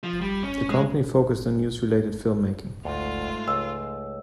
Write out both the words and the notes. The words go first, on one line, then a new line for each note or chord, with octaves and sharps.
The company focussed on news-related filmmaking.
F3
G3
C#4
G#3
D2 G#2 A3 F4
C#2 E6